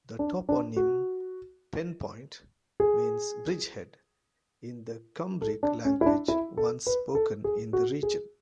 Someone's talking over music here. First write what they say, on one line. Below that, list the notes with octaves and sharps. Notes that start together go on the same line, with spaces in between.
The toponym "Penpont" means "bridge-head" in the Cumbric language once spoken in the region.
D4
D4
F#4
G#4
A4
D4
C#4
E4
D4
E4
A4
B4
A4
G#4
F#4
G#4